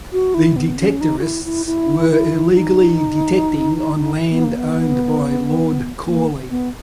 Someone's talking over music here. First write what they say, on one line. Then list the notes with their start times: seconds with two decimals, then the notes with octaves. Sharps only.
The detectorists were illegally detecting on land owned by Lord Cawley.
0.13 F#4
0.34 E4
0.56 B3
0.79 C#4
1.01 D#4
1.18 F#4
1.23 E4
1.45 E4
1.66 E4
2.10 E4
2.54 D#4
4.30 B3
4.44 A#3
4.57 B3
6.06 A#3
6.49 B3